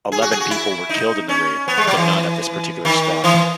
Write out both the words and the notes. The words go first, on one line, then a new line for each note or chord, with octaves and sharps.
Eleven people were killed in the raid, though none at this particular spot.
G#4
F#4
G#4
F#4
E4
D#4
C#4
B3
G#3
F#3
E3
D#3
E3